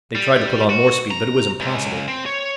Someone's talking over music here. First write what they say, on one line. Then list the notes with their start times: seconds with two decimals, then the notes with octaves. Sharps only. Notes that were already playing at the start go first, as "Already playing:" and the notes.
They tried to put on more speed, but it was impossible.
0.15 G3
0.70 F#4
1.11 A#5
1.60 C#2
2.08 C4
2.26 C#5